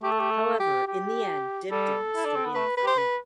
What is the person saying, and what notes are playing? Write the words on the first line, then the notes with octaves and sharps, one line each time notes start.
However, in the end, Dibdin stood in for him.
A3 G4
A4
G4
A4
G4
G4
G3 A4
E4
D4
C4
B3
A3 B4
B4
G4
C5
B4